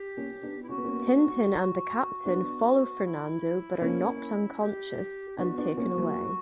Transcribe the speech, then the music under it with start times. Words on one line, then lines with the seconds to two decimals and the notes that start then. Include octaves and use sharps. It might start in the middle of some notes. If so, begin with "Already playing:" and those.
Tintin and the Captain follow Fernando but are knocked unconscious and taken away.
Already playing: G4
0.17 A#3 C#4
0.43 B3 D4
0.62 E4
0.69 C#4 F#4
0.77 B3
0.84 A#3 C#4
2.25 B3 D4
3.04 E4
3.82 A#3 C#4
4.60 G4
5.38 B3 D4 F#4
5.58 B3 D4
5.77 A#3 C#4
5.97 F#3 A#3